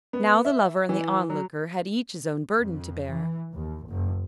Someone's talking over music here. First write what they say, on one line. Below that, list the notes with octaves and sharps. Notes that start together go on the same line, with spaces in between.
Now the Lover and the Onlooker had each his own burden to bear.
B3
E5
E3
F#3
F2
E3
D#2
F#1